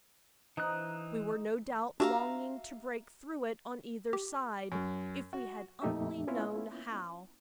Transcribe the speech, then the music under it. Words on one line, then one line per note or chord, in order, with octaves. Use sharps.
We were no doubt longing to break through it on either side--if we had only known how.
E3 D#4 F#6
D4 F#4 G4 E5 F5 A#5
G4
F#2
F#4
F2 A#2 A3 D#4 G4 E5
A#3 B3 C#4 E4 F4